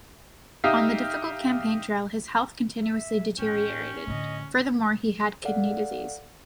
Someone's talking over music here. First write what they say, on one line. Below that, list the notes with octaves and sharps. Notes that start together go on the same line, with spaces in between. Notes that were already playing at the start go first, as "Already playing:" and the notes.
On the difficult campaign trail, his health continuously deteriorated; furthermore he had kidney disease.
D#4 G4 E5 F5
E5
A1 C#4 G5
A2 D3 D#5
A4 D5 F5 F#5